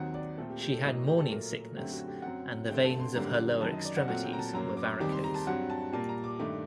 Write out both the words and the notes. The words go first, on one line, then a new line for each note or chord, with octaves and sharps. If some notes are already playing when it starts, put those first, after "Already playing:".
She had morning sickness, and the veins of her lower extremities were varicose.
Already playing: D#2 D#3 F#3 C4 F#5
D5
A#2 A3 C4 A4
G4
G4
A4
A2 F#3 A#3 D#5
G4
A4
A#2 F#3 A3 A#4
F#2 D3 A3 C4 G4
F#4
G4
F#2 F#3 C4 F#5
G2 D3 A3 C4 G5
A5
C6
F#2 D3 G3 A#3 A#5
F#2 D#3 F#3 A5
D#5
D5
F#5
A#2 F#3 A3 C4 F#5
G5
A#5
A5
F#2 F#3 A#3 A#5
D6
D#2 D#3 G3 C4 D6
C6
A#5
A5
G2 F#3 C4 F#5
A5
A#2 G3 A#3 A5
A#5
D6
G2 D#3 A3 D6